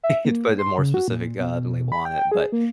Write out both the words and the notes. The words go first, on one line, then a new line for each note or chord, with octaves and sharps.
to put a more specific, uh, label on it. But
E5
A#3
C6
C#3
F#4
A#2
B2
B5
G5
G#4
A#3